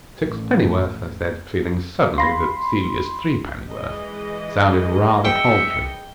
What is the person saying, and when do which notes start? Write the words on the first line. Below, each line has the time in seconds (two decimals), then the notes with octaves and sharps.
"Sixpennyworth," I said, feeling suddenly that Celia's threepennyworth sounded rather paltry.
0.24 A1
2.18 F5 B5 C6 A#6
3.70 E3 G#3 D#5
5.25 E5 G5 C#7